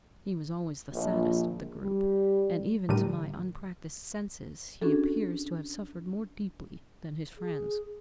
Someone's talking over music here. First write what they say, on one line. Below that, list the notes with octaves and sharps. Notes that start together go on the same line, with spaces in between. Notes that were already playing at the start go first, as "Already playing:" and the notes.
He was always the saddest of the group, and even to my unpractised senses, he appeared to have suffered more deeply than his friends.
A#1
G3
A2 D3 G3 G4 A#4 D#7
C#4 D4 F#4 G#4 A4
G#4